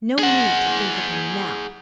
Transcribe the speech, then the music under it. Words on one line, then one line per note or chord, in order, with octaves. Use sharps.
No need to think of him now.
G#4 F#5